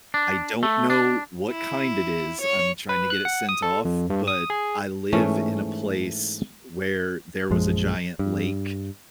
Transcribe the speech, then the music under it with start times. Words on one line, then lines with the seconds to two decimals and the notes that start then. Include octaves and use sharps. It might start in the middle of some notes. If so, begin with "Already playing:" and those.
I don't know what kind it is. I'm trying to get it sent off, but I live in a place where there was a giant lake.
0.14 D4
0.63 A3
0.90 D4
1.50 E4
2.41 C#5
2.89 B4
3.10 F#6
3.25 F#5
3.49 D#6
3.62 A4
3.85 F2
4.10 G2
4.28 D#6
4.50 G#4
5.13 G#2 E3 A3 C#4
7.51 A#1 F#2 F3 G#3
8.19 G2